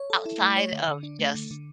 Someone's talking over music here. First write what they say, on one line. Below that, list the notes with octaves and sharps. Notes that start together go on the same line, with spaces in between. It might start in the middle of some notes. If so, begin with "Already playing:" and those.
outside of just
Already playing: C#5
A4
E4
A3
C#5
D3
D3
D4
A3
D3
D3